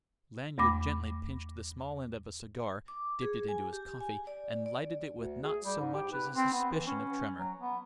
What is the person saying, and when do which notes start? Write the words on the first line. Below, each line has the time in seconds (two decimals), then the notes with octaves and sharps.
Lanyard gently pinched the small end of a cigar, dipped it into his coffee, and lighted it with not so much as a suspicion of tremor.
0.58 E2 A3 B5 D6 A#6
2.88 D6
3.22 G#4
3.48 G#5
3.73 G4
4.01 G#5
4.27 D5
4.66 D5
5.15 D2
5.43 G#4
5.65 G3
5.79 G#2
5.94 G4
6.12 B4
6.36 C4
6.53 B3
6.71 E3
6.87 C#4
7.38 F#3
7.60 B3